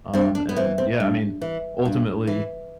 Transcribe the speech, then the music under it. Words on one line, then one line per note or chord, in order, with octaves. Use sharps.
Um, and yeah, I mean, ultimately
G2 C4
D4
B3
E3 C4
C4
G2
E3
G2
E3